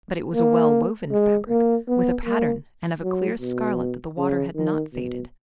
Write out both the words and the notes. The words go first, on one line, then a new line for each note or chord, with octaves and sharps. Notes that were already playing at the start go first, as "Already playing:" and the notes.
But it was a well-woven fabric, with a pattern, and of a clear scarlet that the water had not faded.
A#3
G#3
A#3
B3
A#3
F#3
B2
C#3
D#3
B2